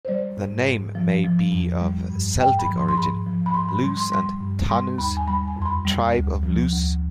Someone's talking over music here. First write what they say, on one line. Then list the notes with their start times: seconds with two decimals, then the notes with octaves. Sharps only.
The name may be of Celtic origin: "Lus" and "Tanus", "tribe of Lus".
0.05 C5
0.08 G3 D5
0.37 G#2
0.66 G#2
0.95 F3
1.24 F3
1.52 F2
1.81 G3
2.10 G2
2.39 G#2 G5
2.59 B5
2.68 F3
2.78 C6
2.89 C6
2.96 G#2 B5
3.26 F3
3.46 B5
3.54 G#2 C6
3.69 B5
3.83 G3 C6
3.97 C6
4.12 G3 C6
4.41 G2
4.70 G3 C6
4.98 D#2 B5
5.17 G#5
5.27 G3 B5
5.47 G#5
5.56 F2
5.62 C6
5.66 B5
5.85 G3
6.14 D2
6.43 F3
6.72 D2